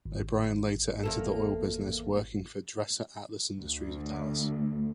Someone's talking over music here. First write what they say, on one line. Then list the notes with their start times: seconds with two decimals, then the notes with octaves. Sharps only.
O'Brien later entered the oil business, working for Dresser Atlas Industries of Dallas.
0.06 G#1
1.03 E2 A#3 A4
3.60 D2